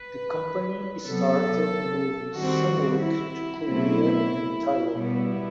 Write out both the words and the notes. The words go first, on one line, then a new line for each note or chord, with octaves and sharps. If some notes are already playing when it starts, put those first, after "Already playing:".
The company started moving some work to Korea and Taiwan.
Already playing: B4
C3 F#3 B3 A4
D#3 G3 C4 F#4
E4
B2 F#3 A3 C4 E4
B2 G3 B3 E4